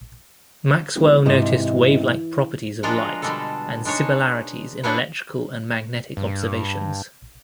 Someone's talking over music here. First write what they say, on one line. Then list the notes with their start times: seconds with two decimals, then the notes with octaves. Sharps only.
Maxwell noticed wavelike properties of light and similarities in electrical and magnetic observations.
0.95 E1
1.26 G#2 C3 E3 D#5
2.83 F3 G#3 D4 F4 F#4 A#4
3.22 B2 D3 G3 G#3 A4
3.85 G#3 D4 D#4 C#5 A5
4.83 D4 E4 F#4 G#4 B4 C#5
6.17 G2